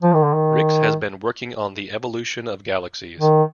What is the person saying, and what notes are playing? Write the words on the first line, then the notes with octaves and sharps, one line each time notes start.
Rix has been working on the evolution of galaxies.
F3
D#3
D3
D#3
D#3